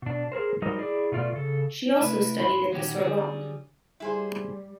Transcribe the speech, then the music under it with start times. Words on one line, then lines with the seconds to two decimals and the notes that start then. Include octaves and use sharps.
She also studied at the Sorbonne.
0.02 B2 D4
0.32 G#4 A#4 C5
0.62 F#3 G3 D#4 A#4 C5 D#5
0.79 E4 G#4 D5
1.12 B2 A3 F4 D5
1.32 C#3 A4
1.97 C3 A3 E4 B4 E5
2.38 G2 F4 B5 C6
2.72 A#2 D#3 F#3 C#4 F#4 G4
3.00 D3 F#3 G3 G#4
4.00 G3 E4 G#4 C5